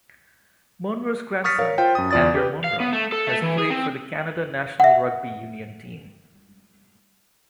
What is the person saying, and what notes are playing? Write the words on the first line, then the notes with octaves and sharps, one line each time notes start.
Monro's grandson, Ander Monro, has played for the Canada national rugby union team.
C#6 D#6 F6 A6 B6 C#7
A#4 C#5 F5
F4 C5 G5
F#2 D#6
E2 F4 D5 D#6 A6
G4 B4
F5
B3
A3
A4
A3
E3
G#4
C4
E5 F#5